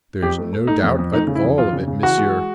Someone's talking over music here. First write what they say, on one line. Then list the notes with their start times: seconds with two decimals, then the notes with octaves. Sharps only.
"There is no doubt at all of it, monsieur."
0.22 F2 G4
0.38 A3
0.53 A3
0.67 A3 D#4
0.83 F2
0.98 F2
1.12 A3 D#4
1.27 C#3
1.35 E4
1.43 F2
1.58 F2 F4
1.72 C#3
1.88 C#3
2.03 E3 F#4
2.18 G#3